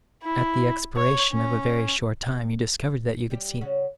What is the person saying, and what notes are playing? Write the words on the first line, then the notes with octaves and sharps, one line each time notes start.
At the expiration of a very short time you discovered that you could see nothing.
E4
C#5
C#4
G3 G4
C#3 C#4 F#4